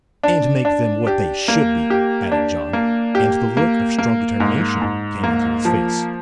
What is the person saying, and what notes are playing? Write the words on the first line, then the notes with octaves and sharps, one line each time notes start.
"And make them what they should be," added John, and the look of strong determination came into his face.
D4
D4
G4
A#3
G4
D4
A#3
G4
A#3
A#3
G#2
G#2
A#3
F3